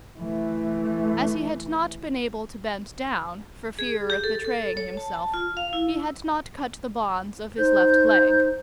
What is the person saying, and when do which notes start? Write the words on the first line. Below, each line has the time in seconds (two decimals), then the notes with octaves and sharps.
As he had not been able to bend down, for fear of betraying himself, he had not cut the bonds of his left leg.
0.19 E3 A3
3.79 G#4
4.10 G4
4.24 A4
4.45 A4
4.77 C#5
4.97 A5
5.14 A5
5.34 F4
5.57 F5
5.73 E4
7.57 D#4 C5 G6